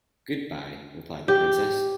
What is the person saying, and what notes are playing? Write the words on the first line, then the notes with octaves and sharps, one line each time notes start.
"Good-bye," replied the princess.
G4